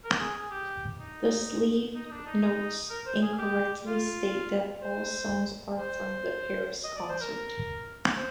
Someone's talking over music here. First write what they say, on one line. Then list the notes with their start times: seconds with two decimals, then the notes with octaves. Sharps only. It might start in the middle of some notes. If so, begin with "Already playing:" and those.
The sleeve notes incorrectly state that all songs are from the Paris concert.
0.04 A#4
0.19 G#4
0.36 G#4
0.51 G4
0.99 D#4
1.95 D#4
2.06 D#4
2.11 D4
2.27 D#4
2.42 D#4
2.90 A#4
3.06 C5
3.22 G#4
3.38 G4
3.86 F4
4.82 C5
5.77 C5
6.84 D#5
6.96 D5
7.09 C5
7.21 A#4
8.16 C5